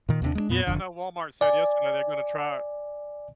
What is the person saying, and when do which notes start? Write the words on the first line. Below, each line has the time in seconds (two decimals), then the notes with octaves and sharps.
Yeah, I know Walmart said yesterday they're gonna try
0.09 A#2 D#3
0.22 D#2 C3 D4
0.35 G#3 A#3 D4
0.49 F2 A#2 B3
0.67 F1 A#1 F2 D3
1.41 D5 G#5